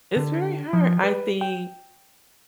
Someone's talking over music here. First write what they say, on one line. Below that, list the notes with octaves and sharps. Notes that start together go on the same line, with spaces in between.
It's very hard. I think
D3
F3
B4
G5